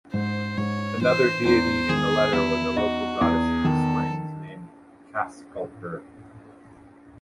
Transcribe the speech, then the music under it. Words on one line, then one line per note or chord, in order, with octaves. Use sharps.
Another deity in the letter was a local goddess of springs named Kaskalkur.
G#2 C5
G#2 C#5
E3 C5
E2 C5
D#3 G#4
E2 E4
D#4 F#4
E2 G#4
D#3 A4